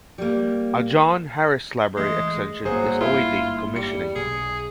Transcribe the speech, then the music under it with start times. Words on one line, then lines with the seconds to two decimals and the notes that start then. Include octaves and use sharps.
A John Harris Library extension is awaiting commissioning.
0.18 G3 A#3
1.97 E3 G#3 A3
2.65 G1 G#2 F#3 A#3 G#4 C5
3.01 E4 F4
3.76 G3 C#7
4.15 B1 G#4